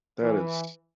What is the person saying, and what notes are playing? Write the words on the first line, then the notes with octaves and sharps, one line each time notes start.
that is
E3